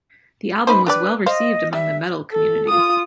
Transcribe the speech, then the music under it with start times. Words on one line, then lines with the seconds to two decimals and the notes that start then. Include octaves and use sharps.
The album was well received among the metal community.
0.67 D#4 B4 C5 B5
0.86 D4 G4 B4 D5
1.26 C5 D#5 F5
1.73 G3 E5
2.32 A4
2.69 F4 D#6